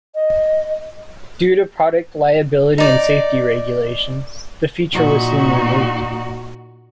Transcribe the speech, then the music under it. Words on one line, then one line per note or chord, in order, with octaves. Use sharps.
Due to product liability and safety regulations, the feature was soon removed.
D#5
D#4 D5
A#2 D#4 F#4